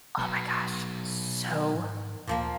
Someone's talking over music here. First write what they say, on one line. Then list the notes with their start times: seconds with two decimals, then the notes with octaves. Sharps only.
Oh my gosh, so
0.18 D#1 B2 F#3
1.74 G#2
2.27 D2 A#2 F3 A#3